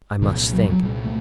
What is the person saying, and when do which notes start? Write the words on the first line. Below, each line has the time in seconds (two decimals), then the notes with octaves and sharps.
I must think.
0.21 C2 A#2 D#3
0.52 F#3
0.71 F#3
0.82 C2 A#2 G3
1.05 A3